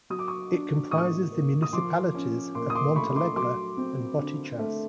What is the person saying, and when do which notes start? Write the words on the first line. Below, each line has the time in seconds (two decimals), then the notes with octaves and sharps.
It comprises the municipalities of Montalegre and Boticas.
0.10 F#3 D#6
0.19 D6
0.28 C#6 D#6
0.51 D4
0.91 A2 C#6 D#6
1.32 A#3
1.62 D#6
1.73 F3 C6 D6
2.14 C#4
2.55 A#2 C6 D6
2.70 D#6
2.75 C6 D6
2.95 A3 B5 C#6
3.16 C6 D6
3.36 F#3 C6 D6
3.77 C4
4.18 D3
4.59 A3